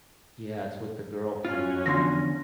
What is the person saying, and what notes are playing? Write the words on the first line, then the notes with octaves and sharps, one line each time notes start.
Yeah, it's with the girl from, um,
C#4 F4 F#4
E2 D3 F3 C6 A#6